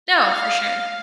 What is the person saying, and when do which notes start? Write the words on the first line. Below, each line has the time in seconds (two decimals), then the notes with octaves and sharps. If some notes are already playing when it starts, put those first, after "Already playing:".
No, for sure.
0.22 F5